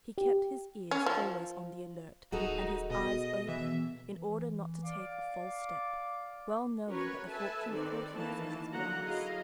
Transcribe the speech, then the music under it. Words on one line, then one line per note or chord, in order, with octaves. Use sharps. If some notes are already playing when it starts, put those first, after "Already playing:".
He kept his ears always on the alert and his eyes open in order not to take a false step, well knowing that the fortune of courtiers is as glass.
G4
C#4
F3
D1 D#4 F#4 G#4 A4
B2 D#5
E3 E5
E3
D5 F5 D6
C#4 F#4 A#4 B4 C#5
A4 B4 E5 G#5 A5
D#3 C4 A4 B4 D5
D#3 E3 A#3 A5
D3 F#3 A#3 F#5 A#5
F#3 E4 G#4 D#5 F5 A#5